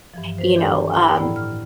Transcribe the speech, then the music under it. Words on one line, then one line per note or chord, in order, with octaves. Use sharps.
you know, um,
G2 E3 F3
B4 C5
D#3 E3 D4 G4 A4 D5
F#5 F6 F#6
A2 A#3 E4 D5 G5 B5
F6